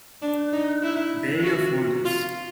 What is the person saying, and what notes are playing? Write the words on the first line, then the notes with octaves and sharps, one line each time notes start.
Day of wonders!
D4
D#4
E4
F#4
F4